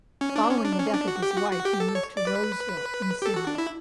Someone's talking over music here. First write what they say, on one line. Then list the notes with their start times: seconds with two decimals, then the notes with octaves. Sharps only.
Following the death of his wife he moved to Roseville in Sydney.
0.21 C#4
0.36 D4
0.49 C#4
0.64 D4
0.79 C#4
0.93 D4
1.08 F#4
1.22 G4
1.37 F#4
1.51 F#4
1.65 G4
1.80 A4
1.95 C#5
2.17 D5
2.27 B4
3.22 G4
3.26 A4
3.36 F#4
3.47 D4
3.58 E4